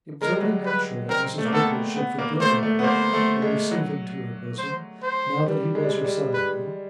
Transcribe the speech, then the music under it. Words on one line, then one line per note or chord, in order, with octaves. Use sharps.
It was only natural that Mrs. Woodward should forgive Alaric and receive him to her bosom, now that he was her son-in-law.
G#3 A#4
G3
F#3
G3
B4
C4 A#4
A3
A#3
B3 A4
B3
A#3
A#3
A3 C5
A3
B3
A#3 C5
A3
G#3
F#3
C5
C5
G3
G#3
G3
G#3
G3
B4